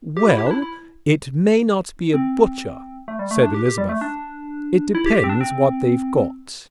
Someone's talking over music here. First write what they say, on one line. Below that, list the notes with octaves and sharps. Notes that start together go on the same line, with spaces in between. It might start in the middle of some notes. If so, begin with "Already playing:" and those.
"Well, it may not be a butcher," said Elizabeth; "it depends what they've got."
G4
E4
G4
D4
E4
E4
C4
A3
G3
A3
D4
G4
G4
G3
A3
D4
E4
G4
G4
C4
D4
C4